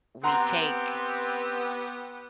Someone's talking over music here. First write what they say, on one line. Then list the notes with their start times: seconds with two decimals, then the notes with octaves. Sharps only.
we take
0.23 B3 C4 G4 F#5 A#5 C6